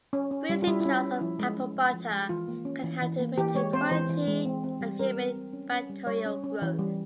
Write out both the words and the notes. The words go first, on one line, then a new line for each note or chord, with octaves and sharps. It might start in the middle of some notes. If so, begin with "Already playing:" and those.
Freezing jars of apple butter can help to maintain quality and inhibit bacterial growth.
C#4
C#4
G3
F4
G3 E4
E4
C#4
C#4
F3 E4
G#3
C#4
F3
F3
G#3
E3 F4
A#3
C#4
E3
E3
A#3
E3 G4
G#3 C#5
C4 C5
E3 C5
E3
G#3
C4
C4
G3
G3 A#4
C4
C4
C#4
C#4
G3
G3 C#5
C#4
C#4
E3
G3